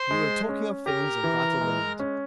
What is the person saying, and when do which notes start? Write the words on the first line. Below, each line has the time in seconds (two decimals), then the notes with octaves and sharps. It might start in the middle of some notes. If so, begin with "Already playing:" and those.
We were talking of things of vital moment.
Already playing: C5 C6
0.11 G#3
0.49 C#4
0.86 G4 A#4 A#5
1.24 E3
1.61 G#3
1.99 C#4